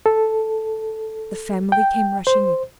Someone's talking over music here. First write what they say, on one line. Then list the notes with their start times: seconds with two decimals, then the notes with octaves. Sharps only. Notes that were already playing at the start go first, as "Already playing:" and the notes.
The family came rushing in.
0.06 A4
1.72 G5
2.27 C5